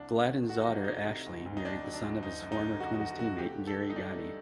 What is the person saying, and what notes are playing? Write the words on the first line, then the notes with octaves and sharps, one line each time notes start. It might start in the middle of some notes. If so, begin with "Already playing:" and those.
Gladden's daughter Ashley married the son of his former Twins teammate Gary Gaetti.
Already playing: C2 D4
A3
D#3
A3 F#4
D#4
C2 D4
A3 D#4
C3
D2
D2
D#4
D2 D4
F#3
D4
D2
F#1 D#4
F#2
D#4
D3
D3 F#4
D#4
F#1 F#4
F#1 F#4
A3 G4
D3
A4
G2
D#4
G2 D4
A3